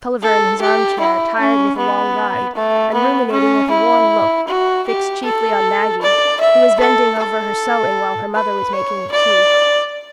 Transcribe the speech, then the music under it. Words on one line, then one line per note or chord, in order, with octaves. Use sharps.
Tulliver in his arm-chair, tired with a long ride, and ruminating with a worn look, fixed chiefly on Maggie, who was bending over her sewing while her mother was making the tea.
A4
G4
E4
C#4
B3
A3
B3
C#4
E4
F#4
G4
A4
D5
E5
A4
A4
B4
C#5
D5